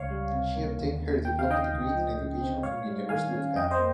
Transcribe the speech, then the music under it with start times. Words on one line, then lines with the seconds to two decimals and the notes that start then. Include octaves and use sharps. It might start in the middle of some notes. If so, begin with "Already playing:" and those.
She obtained her Diploma degree in Education from University of Ghana.
Already playing: C#2 C#5 F5
0.10 G3
0.32 C3
0.55 A#3
0.79 D#2
1.02 A#3
1.25 D#3 G5
1.39 F5
1.48 D#4 D#5 G5
1.71 C#2
1.94 F3
2.18 C#3
2.41 C4
2.63 G#2 C#5 F5
2.86 G3
3.09 D#3 F5 G#5
3.33 C#4
3.55 F2 D#5 G5
3.71 C5 D#5
3.78 A#3